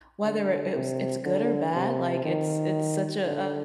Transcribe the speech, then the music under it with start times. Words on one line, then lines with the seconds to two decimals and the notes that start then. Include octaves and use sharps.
whether it it was it's good or bad, like, it's it's such a
0.24 D3
0.73 C3
1.25 D3
1.75 C3
2.25 D#3
3.25 D3